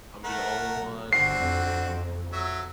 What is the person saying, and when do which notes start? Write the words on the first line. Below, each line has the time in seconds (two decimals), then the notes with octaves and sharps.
I'll be the only one
0.24 A3 A#4 F#5
0.74 B1
1.13 G1 D3 C4 F#4 C7
1.42 F2
2.33 F#3 E5